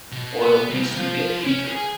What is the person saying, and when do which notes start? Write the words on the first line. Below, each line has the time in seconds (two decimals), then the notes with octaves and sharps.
Oil needs to get heated.
0.12 B2
0.40 B3
0.70 G3 C4
0.94 F4 C5
1.44 C#4
1.67 G#4